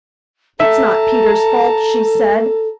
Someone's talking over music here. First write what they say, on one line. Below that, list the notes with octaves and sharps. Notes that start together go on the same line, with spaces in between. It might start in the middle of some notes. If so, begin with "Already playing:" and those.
"It's not Peter's fault," she said.
A4 E5 A5 A#5